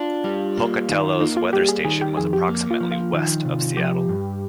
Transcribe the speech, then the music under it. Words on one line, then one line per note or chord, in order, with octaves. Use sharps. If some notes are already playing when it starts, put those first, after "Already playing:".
"Pocatello"'s weather station was approximately west of Seattle.
Already playing: D4 F4
G3
A#3
D#3
A#3 D#4
F4
G3 G4
G#4
D#3 G#4
G4
F2 G#4
G4
A#3
F4
F3
F4
D#3
C3
F3 G4
G2